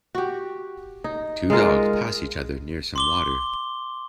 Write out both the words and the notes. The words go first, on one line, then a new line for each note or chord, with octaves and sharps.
Two dogs pass each other near some water.
F#4 G4
D#4
G#3 D#4 F4 A#4
C6 D6 G7